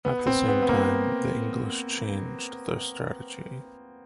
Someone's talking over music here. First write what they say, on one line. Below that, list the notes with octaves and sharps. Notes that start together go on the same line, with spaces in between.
At the same time, the English changed their strategy.
B3
C4
B3
B3
A#3